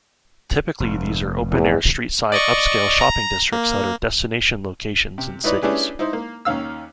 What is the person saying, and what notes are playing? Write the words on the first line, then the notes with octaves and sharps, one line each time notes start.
Typically these are open-air street-side upscale shopping districts that are destination locations in cities.
F1
E2
D5 D#5 C#6
A#5
A#3
C3
D#4 E4 B4 C#5 D5
C#4 D4 E4 G4 G#4 B4
D#4 E4 C5
A#3
D#2 D#3 C#4 F5 E6